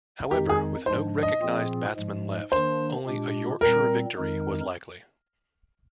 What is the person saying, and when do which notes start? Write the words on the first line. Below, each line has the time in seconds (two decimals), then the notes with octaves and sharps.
However, with no recognised batsmen left, only a Yorkshire victory was likely.
0.31 F2 D#3 G#3 D#4 G4
0.50 G#4
0.86 G#2 F3 G#3 D4 C5
1.23 D#5
1.41 A#2 F3 C4 F4 G#4
1.96 G#2 F3 G#3
2.51 D#3 A#3 D4 C5
3.07 A#2 G#3 D4 G4
3.61 A#2 G3 C4 A#4
4.17 F2 D#3 G#3 D#4 A#4